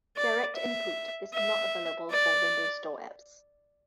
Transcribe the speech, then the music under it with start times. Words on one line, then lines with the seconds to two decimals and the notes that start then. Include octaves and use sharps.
DirectInput is not available for Windows Store apps.
0.17 D5
0.56 E5
1.34 E5
2.11 D5